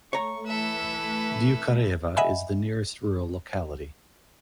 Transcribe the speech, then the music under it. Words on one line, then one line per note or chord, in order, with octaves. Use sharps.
Dyukareva is the nearest rural locality.
A3 C#5 A#5 C#6
E3 A4 B4 E5
D#5 E5 F#5 G#5 B5